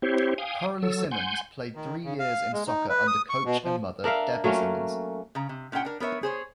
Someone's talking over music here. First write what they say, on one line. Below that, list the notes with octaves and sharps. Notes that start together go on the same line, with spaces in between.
Coralie Simmons played three years in soccer under coach and mother Debbie Simmons.
C4 E4 G4 C5 C#5
F5 G5 G#5 D#6
F#3 A4 E6
F#5 G#5 C6 G6
D#3
C#3
F5
G#3
D#4
B4
D#6
C#6
B2
F3
D4 A#4 E5 F5
F#3 A3 A#3 C#4
C#3 A#5
C3
A#2 C#4 D4 F#5 G5
D4 A#4
B3 A#4 C#5 E5
G#4 C5 C#5